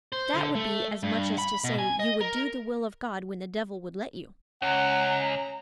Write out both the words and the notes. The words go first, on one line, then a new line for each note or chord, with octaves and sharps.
That would be as much as to say you would do the will of God when the devil would let you.
C5
D3
A3
G2
B5
B2
G#5
D#5
A#4
C#2 C#4 F#5 A#5